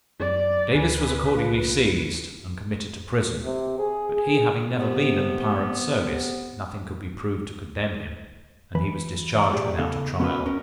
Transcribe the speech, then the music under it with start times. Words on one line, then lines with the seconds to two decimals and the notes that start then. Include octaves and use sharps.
Davis was accordingly seized, and committed to prison, but he having never been in the pirate service, nothing could be proved to condemn him, and he was discharged without a trial.
0.20 F#2 D5
0.74 D2 B4 G#5
1.33 C2 F4
3.44 C3
3.79 G#4
4.15 G#4
4.77 C3 B3
8.75 E3 B4
9.35 C5 D5 E5 A#5
9.52 B1 A2 G4 G#4 D5 E5
9.78 C#3 B3 D#4 A4 D#5 F5
10.20 B3 C#4 F#4 G#4 A#4 B4
10.46 C#4 A#4